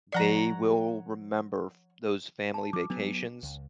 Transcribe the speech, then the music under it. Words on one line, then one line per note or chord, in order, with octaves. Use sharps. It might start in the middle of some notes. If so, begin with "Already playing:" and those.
they will remember f those family vacations,
F3 C#5 D5 F#5 A#5
A5
F3 D6
F#3 B3 D4
C#2